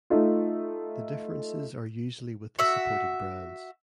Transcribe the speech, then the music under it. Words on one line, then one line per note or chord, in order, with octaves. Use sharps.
The differences are usually with the supported brands.
A3 D#4 F4
F#4 E5